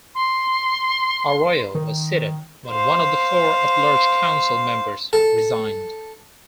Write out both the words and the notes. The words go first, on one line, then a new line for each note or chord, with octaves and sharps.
Arroyo was seated when one of the four at-large council members resigned.
C6
D#3
C5 F5
A4